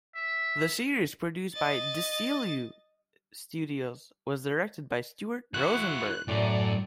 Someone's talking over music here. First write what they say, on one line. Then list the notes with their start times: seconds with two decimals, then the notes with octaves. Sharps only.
The series, produced at Desilu Studios, was directed by Stuart Rosenberg.
0.16 E5
1.54 D#5 A6
5.54 E4 F#4 F#6
6.28 F#2 A2 D5